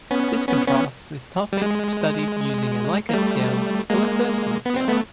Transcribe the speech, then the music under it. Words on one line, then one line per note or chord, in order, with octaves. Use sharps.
This contrasts with topics studied using a Likert scale or a Thurstone scale.
B3 C#4
B3 C#4
B3 C#4
G3
G#3
A#3
G3 A3
G#3 A#3
B3
C4
A3 B3